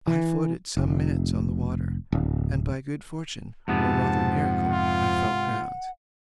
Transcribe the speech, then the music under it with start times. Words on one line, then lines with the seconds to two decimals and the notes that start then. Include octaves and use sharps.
I floated some minutes on the water, and by good fortune, or rather miracle, I felt ground.
0.07 E3
0.77 F1
2.12 D1
3.68 F2 G#2 C3 B3 F#5 A5
4.71 F4